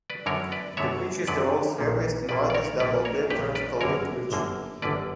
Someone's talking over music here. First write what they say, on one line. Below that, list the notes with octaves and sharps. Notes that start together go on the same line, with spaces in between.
The bridge is the world's heaviest and widest double-decked vertical-lift bridge.
B4 D5
F#2 D3 F#3 B3 A#4 C#5
B4 D5
F#2 D3 F#3 B3 C#5 E5
F#2 D3 F#3 B3 B4 D5
A#1 A#2 A#3
A#1 A#2 A#3 B4 D5
D5
A#4 C#5
A#1 A#2 A#3 B4 D5
A#4 C#5
A#1 A#2 A#3 G4 B4
B4 D5
G1 F#2 D3 A#3 A#4 C#5
G1 F#2 D3 A#3
G1 F#2 D3 A#3 B4 D5